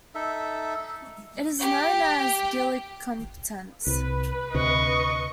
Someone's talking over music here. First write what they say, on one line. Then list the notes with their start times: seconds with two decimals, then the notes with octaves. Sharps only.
It is known as Gillick competence.
0.15 D#4 A4 E5
1.59 G4 G5
3.87 C2 B4
4.54 D2 C3 D#5 C#6